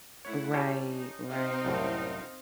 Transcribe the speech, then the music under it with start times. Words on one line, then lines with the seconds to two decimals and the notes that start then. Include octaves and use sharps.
Right, right.
0.25 A3 E4 C#5 F#5
0.54 G3 C#4 G4 A4
0.90 D#4
1.28 C4 D#4 F5
1.65 C2 F#2 A2